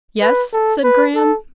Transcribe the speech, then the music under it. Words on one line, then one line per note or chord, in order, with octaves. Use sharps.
"Yes?" said Graham.
B4
A4
B4
A4